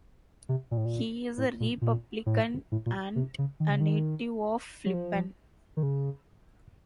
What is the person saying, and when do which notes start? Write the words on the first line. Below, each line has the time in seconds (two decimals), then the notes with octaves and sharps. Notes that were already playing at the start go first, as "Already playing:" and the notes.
He is a Republican and a native of Flippin.
0.49 C3
0.71 A#2
0.77 A2
0.85 A#2
1.38 A2
1.60 A#2
1.82 A#2
2.26 A2
2.72 A2
2.86 A#2
3.16 C3
3.39 C#3
3.60 D#3
3.70 C#3
3.80 D#3
4.86 F#3
4.94 F3
5.77 D#3
5.83 C#3